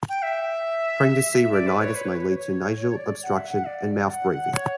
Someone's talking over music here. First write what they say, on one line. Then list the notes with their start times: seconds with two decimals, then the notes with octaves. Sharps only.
"Pregnancy rhinitis" may lead to nasal obstruction and mouth breathing.
0.09 G5
0.22 E5
1.52 D5
1.67 B4
1.81 C#5
1.95 B4
2.06 C#5
2.16 B4
2.27 C#5
2.38 C#5
2.81 C#5
2.91 C#5
2.95 D5
3.23 F#5
3.36 E5
3.49 F#5
3.67 D5
4.10 F#5
4.31 F#5
4.53 C#5